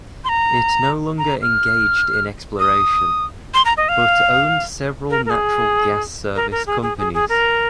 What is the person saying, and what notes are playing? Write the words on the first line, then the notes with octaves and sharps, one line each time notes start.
It no longer engaged in exploration, but owned several natural gas service companies.
C6
A#5
A#5
F6
D#6
C6
A#5
D#5
F5
A#4
A#4
G#4
A#4
A#4
G#4
G#4
G#4
G#4
A#4